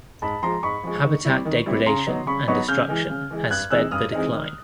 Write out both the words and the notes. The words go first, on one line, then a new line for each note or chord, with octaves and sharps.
Habitat degradation and destruction has sped the decline.
G#2 A5 B5
F3 G#3 A#5 C6
G#2 B5 C#6
F3 G#3
D#3
G3 C4 E4
D#3
G3 C4 E4
C#3 A#5 C6
F#3 B3 D#4
C#3 B5 C#6
F#3 B3 D#4 B5 C#6
C#3 F6 G6
E3 G#3
C#3
E3 G#3
G2 F#6 G#6
E3 G#3 C4 D#4 E6 F#6
G2 D#6 F6
E3 G#3 C4 D#4
D#3